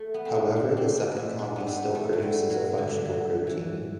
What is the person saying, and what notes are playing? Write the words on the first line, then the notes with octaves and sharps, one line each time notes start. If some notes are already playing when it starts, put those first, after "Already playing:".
However, the second copy still produces a functional protein.
Already playing: A3
B3
C4
D4
D4
C4
D4
E4
D4
B3
C4
A3
F#3
G3
F#3
D3
F#3
E3